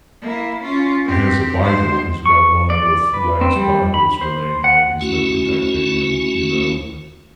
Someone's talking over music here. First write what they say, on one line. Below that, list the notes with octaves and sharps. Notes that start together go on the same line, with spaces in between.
has a Bible. He's got one of the last Bibles remaining that he's been protecting and, you know,
A#3 E4
C#4 F4
C4 G4
G#3 C5
C#6
D5
B4
C4
G3
B5
C5
F#5
A3 C#4 E4 F#4